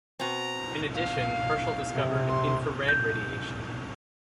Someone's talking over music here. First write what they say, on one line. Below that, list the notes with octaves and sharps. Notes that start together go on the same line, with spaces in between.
In addition, Herschel discovered infrared radiation.
B2 C4 A#5
F5
C3
C6
G6